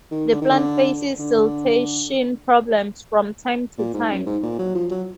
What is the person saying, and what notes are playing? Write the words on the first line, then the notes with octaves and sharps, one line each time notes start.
The plant faces siltation problems from time to time.
D#3
D3
D#3
D3
D3
A#2
G#2
F#2
G#2
A#2
F#3
F3
F#3